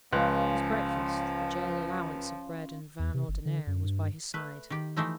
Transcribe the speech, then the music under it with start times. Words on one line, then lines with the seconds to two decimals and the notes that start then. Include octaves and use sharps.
His breakfast--the gaol-allowance of bread and vin ordinaire--was by his side.
0.13 C#2 C#3 F3 C#4 F4 F#6
2.99 E2
3.14 C3
3.28 G1
3.45 D3
3.67 F#2
3.84 G2
4.34 A3 B4
4.70 D#3 G4
4.96 E3 F3 A3 D#4 E4